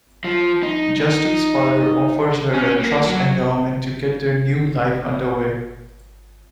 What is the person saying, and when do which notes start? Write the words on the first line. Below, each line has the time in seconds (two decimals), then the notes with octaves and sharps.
Justy's father offers her a trust endowment to get their new life under way.
0.24 F3
0.63 D#4
1.01 D#4
2.54 C#4
2.80 A#3
3.06 F#3